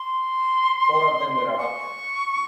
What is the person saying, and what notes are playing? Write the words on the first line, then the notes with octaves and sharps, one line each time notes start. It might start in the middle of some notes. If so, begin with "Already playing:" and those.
Four of them were adopted.
Already playing: C6
C#6